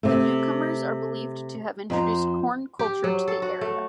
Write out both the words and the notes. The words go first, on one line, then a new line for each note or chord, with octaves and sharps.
The newcomers are believed to have introduced corn culture to the area.
C3 A3
F2 C5 A#5
G4
F#3
A4
F#4
A3